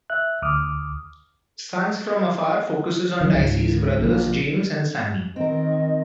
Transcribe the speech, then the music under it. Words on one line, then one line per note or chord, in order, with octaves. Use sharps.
"Sons from Afar" focuses on Dicey's brothers, James and Sammy.
E5 F#6
D2 D6 D#6 F6
D#3 F#3
C#2 G#2
A#1 A#2
D#3 C4 A#4 D#5